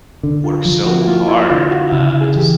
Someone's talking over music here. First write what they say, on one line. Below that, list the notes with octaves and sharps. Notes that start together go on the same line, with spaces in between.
work so hard, uh, and just
D3
F4
F3
F#4
E4
A#3 F4
E4
D3 F4
F#4
C#3 E4
G#4
E3 G4